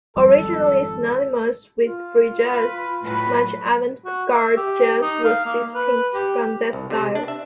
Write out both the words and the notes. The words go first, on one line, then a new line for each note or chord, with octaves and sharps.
Originally synonymous with free jazz, much avant-garde jazz was distinct from that style.
G#1 F2 G3 A4
F4
B4
A2 F#3 B4
F#4
E5
G4
D#4
F5
A#3
B4
G4
C2
C3
D4
E5